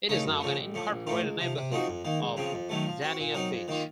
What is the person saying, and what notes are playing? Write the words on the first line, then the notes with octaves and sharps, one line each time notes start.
It is now an incorporated neighborhood of Dania Beach.
C#3 A3 D#4 A#4
F#2
C#3 F3 A3
A1
A2 F3 A3
A#1
A2 A3 C4 F4
C#2
C3 F3
C3
F3 C4 D#4 F#4
F2
D#3 A#3
C#2
C#3 F3 C4
F2
D#3 F#3 A3
F3
C4 F#4
A#2
F#3 C4 D#4 A#4
F2
D#3 A#3 F4